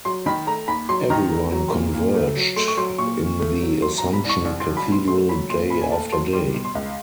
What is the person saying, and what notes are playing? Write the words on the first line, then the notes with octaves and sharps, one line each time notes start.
Everyone converged in the Assumption Cathedral day after day.
F#3 C6
D#3 B5
A3 A#5
D#2 B5
F#3 C6
D#3 A#5
A3
F#3
A#2
A#2
A3
F#3
A3 C6
C#6
F#3 C6
A#2 C#6
A#2
A3
F#3
F#3 C6
A#5
B2
B5
C2
C#6
C2
C6
F#3
B5
B2
C6
A3 C6
F#3 B5
A#2 C6
A#2 B5
G#5
A3 A5
F#3 C6
G3 C6
B2
C6
C#2